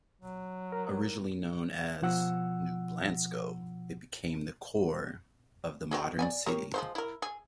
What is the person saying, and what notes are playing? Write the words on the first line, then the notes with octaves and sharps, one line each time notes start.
Originally known as 'New Blansko' it became the core of the modern city.
F#3
A#4
B2 F3 F#5 E6
C4 F#4 G#4
D5 E5 G#5
G4 A#4 C#5
F3 G#3 C5
E4 A#4
G#4